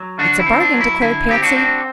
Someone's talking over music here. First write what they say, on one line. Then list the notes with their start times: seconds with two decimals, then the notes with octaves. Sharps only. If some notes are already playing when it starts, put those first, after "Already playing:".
"It's a bargain," declared Patsy.
Already playing: F#3
0.18 D3 D4 F#4
0.39 E4
0.46 C4
0.60 D4
0.74 F#3
0.81 E4
1.01 D3 E4
1.29 C4 G4
1.43 D4 F#4
1.56 C4